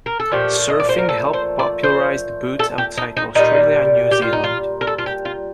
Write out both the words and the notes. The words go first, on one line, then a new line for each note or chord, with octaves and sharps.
Surfing helped popularise the boots outside Australia and New Zealand.
A#4
A4
A#2 F3 A3 G4
D#5
D5
C5
A#4
A4
C5
D5
C5
A4
G4
D#4
D#4
A#2 G3 D#4
G4
F4
D#4
F4
A#4
A4
F4
G4
F4